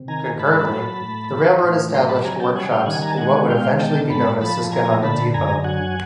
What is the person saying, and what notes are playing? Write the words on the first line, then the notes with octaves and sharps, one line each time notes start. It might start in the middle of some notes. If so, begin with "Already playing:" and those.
Concurrently the railroad established workshops in what would eventually be known as Susquehanna Depot.
Already playing: C3
D#3 G#5 A#5
G#2 A5 B5
F#3
A2
F3
A2
F#3 A#5 C6
A5 B5
C#3 G#5 A#5
G5 A5
G3 F#5 G#5
F5 G5
D#3 F#5 G#5
G#5 A#5
A5
G#3 F#5 G#5
B2 F5 G5
D#3 G5 A5
G#2 A5 B5
F3 A5 B5
A#2 G#5 A#5
D3 A5 B5
F#2 G#5 A#5
F#3 F#5 G#5